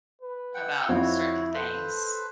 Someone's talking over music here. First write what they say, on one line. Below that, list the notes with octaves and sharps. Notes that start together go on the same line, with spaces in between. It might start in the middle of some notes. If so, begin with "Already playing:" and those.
about certain things,
B4
F#5 G5
F2 C4 E4 F#4 C#5
A4 B4 C5